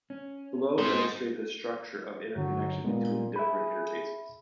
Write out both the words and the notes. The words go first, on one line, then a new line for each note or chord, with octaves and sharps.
Below illustrate the structure of interconnection between different interfaces.
C#4
G#3 C4 C5
G2 D3 F#3
A#2 G#3 B3
G#4 E5 B5